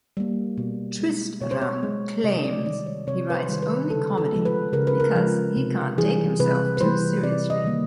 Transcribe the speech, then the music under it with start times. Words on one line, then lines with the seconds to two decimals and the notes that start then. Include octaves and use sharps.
Tristram claims he writes only comedy because he can't take himself too seriously.
0.17 G3 A#3
0.58 B2
1.00 G#3
1.41 B2 C#5
1.51 C5
1.61 C#5
1.83 G#3
2.24 C3 D#5
2.44 D5
2.66 D#3 G3 D5
2.86 C#5
3.07 C3 C#5
3.30 B4
3.34 C5
3.49 D#3 G3 C5
3.62 B4
3.90 C#3 A4
4.17 A4
4.32 F3 G#3
4.45 B4
4.73 C#3 A#4
4.87 B4
5.00 A#4
5.15 F3 G#3
5.56 C3
5.98 E3 G3 G#4
6.40 C3 B4
6.77 B4
6.81 E3 G3 C5
7.23 C3 D5
7.50 D#5
7.64 D#3 G3 A#3